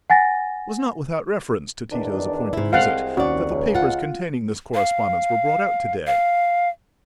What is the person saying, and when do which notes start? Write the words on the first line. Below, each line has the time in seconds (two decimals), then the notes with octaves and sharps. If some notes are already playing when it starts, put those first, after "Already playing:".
It was not without reference to Tito's appointed visit that the papers containing this correspondence were brought out to-day.
0.10 F#5 G#5 A6 A#6
1.92 E2 D#3 D4
2.53 G#2 E4
2.73 C2 G#3 C4 F5 F#5
3.17 D#2 C#4 F#4 D5
3.49 C#2
3.74 F4 F#5
4.74 F5
6.07 F5